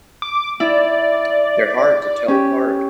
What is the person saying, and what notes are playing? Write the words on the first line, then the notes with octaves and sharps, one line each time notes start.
They're hard to tell apart.
D6
E4 D5
C#4 G4